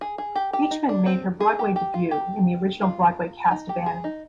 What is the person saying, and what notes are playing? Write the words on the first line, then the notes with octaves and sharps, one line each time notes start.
Beechman made her Broadway debut in the original Broadway cast of "Annie".
G#4
G#4
G4
G4
D#4
D4
C4
G#4
G4
G4
F4
G4
F4
D#4
G4
G#4
D#4